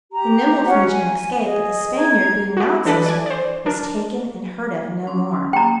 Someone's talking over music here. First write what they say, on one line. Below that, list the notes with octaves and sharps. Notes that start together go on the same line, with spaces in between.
The nimble Frenchman escaped; but the Spaniard being not so swift, was taken and heard of no more.
G4 A#5
C#4 F#4 F#5
G#5
G#4 D#5
A#5 G#6
F#4 G4
E3 D4 A4 B4 D5
D5 G#5
C5 D5
D4 A#4
C#4 C6 D6
A#3 G5 A#5